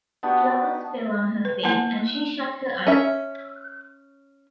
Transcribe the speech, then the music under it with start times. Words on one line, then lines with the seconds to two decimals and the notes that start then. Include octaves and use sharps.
Flowers fell on her face, and she shut her eyes.
0.23 B3 D4 F#4 G4
1.45 B4
1.63 A#3 E4 F#5 G#5 A5
2.87 C#4 E5